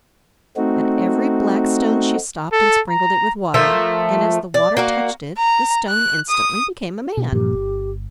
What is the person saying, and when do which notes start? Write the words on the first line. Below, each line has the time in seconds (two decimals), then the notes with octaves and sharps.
At every black stone she stopped and sprinkled it with water, and as the water touched it the stone instantly became a man.
0.57 A3 C4 D#4 F#4
2.53 A4
2.90 A#5
3.54 F3 A3 A#4 E5
4.54 D5
4.77 A#3 F#4 A#4
5.38 A#5
5.89 F#6
6.30 D#6
7.17 B2
7.32 G2 A#2 F3 G4
7.53 G1